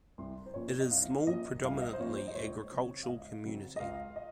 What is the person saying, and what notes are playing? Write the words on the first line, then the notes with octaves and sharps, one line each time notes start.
It is small predominantly agricultural community.
C2 C6
C5
A#2 F3 A#3 C#4 C#5
D#5
C2 F5
A#2 F3 A#3 C#4 D#5
C2 F5
D#5
C5
A#2 F3 A#3 C#4 C#5
C5
D#5
C#2 C#5
C#3 F#3 C4
F5
C#2 D#5
C#3 F#3 C4
D#5
C#2 F5
D#5